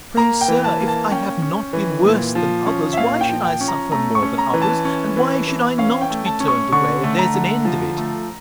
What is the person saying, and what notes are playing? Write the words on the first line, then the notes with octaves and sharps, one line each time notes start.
Pray, sir, if I have not been worse than others, why should I suffer more than others? and why should I not be turned away, and there's an end of it?
A#3 A#5
G5
E3
A5
A#3
A5
C#4 G5
C#4
E3
A#2
F3
C#4
E5
A#2 F5
G5
F3
G5
C#4
A#5
A3 A#5
C#6
C#4
A#5
E3
A5
C#4
E3
E3
C#4 F5
G5
A3
A5
C#4
C#6
D3 C#6
A3
A#5
D3
F3
A3